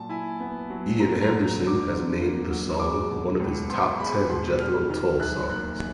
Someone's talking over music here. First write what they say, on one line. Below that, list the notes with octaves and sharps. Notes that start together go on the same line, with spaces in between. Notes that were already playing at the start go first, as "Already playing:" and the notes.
Ian Anderson has named the song one of his top ten Jethro Tull songs.
Already playing: A#2 F#3 A5
E4 G#5
B3
F#3
A#3 A#5
A#5
F#3
A#5
D3
D6
D3
A#3
F#3
G#3 D6
B2
C#2
B3 C6
G#3 B5
B2 C6
G3 F6
D#3 F6
F#2 F#6
A#3 F#6